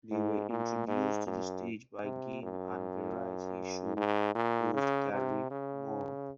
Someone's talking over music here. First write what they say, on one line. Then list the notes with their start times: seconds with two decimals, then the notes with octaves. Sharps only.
They were introduced to the stage by game and variety show host Garry Moore.
0.11 G#2
0.50 A#2
0.87 G#2
1.27 F#2
2.04 C3
2.42 F#2
3.97 G#2
4.35 A#2
4.74 C#3
5.13 C3
5.51 C#3